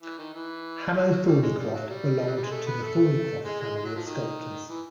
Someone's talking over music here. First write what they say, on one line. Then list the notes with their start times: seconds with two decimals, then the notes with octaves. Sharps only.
Hamo Thornycroft belonged to the Thornycroft family of sculptors.
0.02 E3
0.18 D#3
0.34 E3
0.96 F3
1.10 F#3
1.26 G3
1.42 G#3
1.58 G3
1.74 F#3
1.89 G3
2.18 F3
2.26 F#3
2.35 G3
2.43 G#3
2.51 A3
2.67 B3
2.82 A3
3.45 G#3
3.60 G#3
3.76 G#3
3.85 F#3
3.96 F3
4.06 D#3
4.69 E3